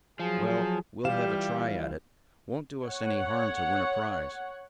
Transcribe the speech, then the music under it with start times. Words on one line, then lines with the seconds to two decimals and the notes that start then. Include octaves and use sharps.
Well, we'll have a try at it. Won't do us any harm to win a prize.
0.20 F3 F#3 G#4
1.05 E3 G3 F4 G4 F5 E7
2.85 C#5 F#5